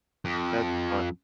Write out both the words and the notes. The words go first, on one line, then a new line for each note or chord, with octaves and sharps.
That's fun,
F2